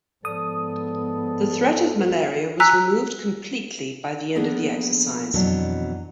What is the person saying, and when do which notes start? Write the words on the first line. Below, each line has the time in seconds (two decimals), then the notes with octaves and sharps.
The threat of malaria was removed completely by the end of the exercise.
0.25 G#2 F3 B3 A4 D5 D#6
2.60 G#5 A#5 E6 F#6 B6
4.35 F3 A#3 B3 D4 G#4 A4
5.34 F2 B2 E3 F#3 D4